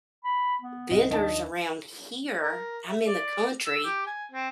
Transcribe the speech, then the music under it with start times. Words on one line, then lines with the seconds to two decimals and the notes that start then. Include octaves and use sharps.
vendors around here. I'm in the country,
0.24 B5
0.62 B3
0.90 C2 D#5
1.11 D#2 D4 D#5 A5
2.42 A#4
2.86 E5
3.07 D5
3.66 E6
3.84 G4
4.06 G#5
4.32 C4